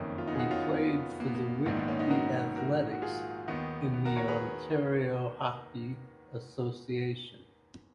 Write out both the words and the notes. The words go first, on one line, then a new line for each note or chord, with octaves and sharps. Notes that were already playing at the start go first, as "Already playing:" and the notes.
He played for the Whitby Athletics in the Ontario Hockey Association.
Already playing: F#1 F2 D#3 A#3 C#4
F4
B3 D#4
G#4
D#4 F#4
C#4 F4
B3
B3
A#3
B3
A#3
A#1 G#2 D#3 A#3
B3
A#3 C#4
B3 D#4
F#4 A#4
F#4 A#4
F#4
F4 G#4
D#2 D#3 B3 D#4
B3
F#4 A#4
A#4 C#5
G#4 B4